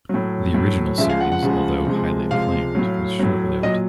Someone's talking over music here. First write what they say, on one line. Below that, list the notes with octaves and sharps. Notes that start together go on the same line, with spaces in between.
The original series, although highly acclaimed, was short-lived.
A2 F#3
A2 F#3
C#3 F3 G#3 E5
F5
F#5
F#5
C#3 F3 G#3
C3 F3 G#3
C3 F3 G#3 F5
A2 F#3
A2 F#3
A#2 F#3 D#5